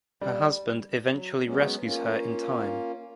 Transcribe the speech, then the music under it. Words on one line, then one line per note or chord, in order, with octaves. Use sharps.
Her husband eventually rescues her in time.
G3
F#3
F#3 G#3 B3 C#4
A#3 C#4 F4